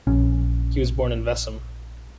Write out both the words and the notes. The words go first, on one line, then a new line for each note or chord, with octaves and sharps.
He was born in Vessem.
A#1 C#4